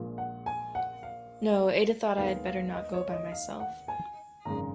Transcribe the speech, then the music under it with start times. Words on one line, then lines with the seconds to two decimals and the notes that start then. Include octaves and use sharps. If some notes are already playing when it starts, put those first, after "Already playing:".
No, Ada thought I had better not go by myself.
Already playing: A#1 A#2 G#3
0.18 F#5
0.46 G#5
0.75 F#5
1.03 F5
2.17 D#2 D#3 G#3 B3 F5
2.46 F5
2.75 D#5
2.94 C#5
3.12 D#5
3.32 F5
3.60 F#5
3.88 G#5
4.45 G#1 F#2 C#3 G#3 A#5